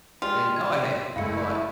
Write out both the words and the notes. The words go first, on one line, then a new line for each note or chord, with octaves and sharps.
then go ahead, but
G#3 F4 G4 D5
C4 G#6
F#1 G#3 A3 E4 F5 C#7